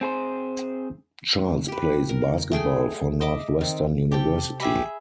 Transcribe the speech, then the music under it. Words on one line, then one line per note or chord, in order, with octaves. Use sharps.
Charles plays basketball for Northwestern University.
C4 G#4 C5
G4 B4
A#4
A3 G#4 G5 G#5
D#5 E5 D6
D#3 C4
C3 C4 G4 A4 G5
G4 G#4 E5 B5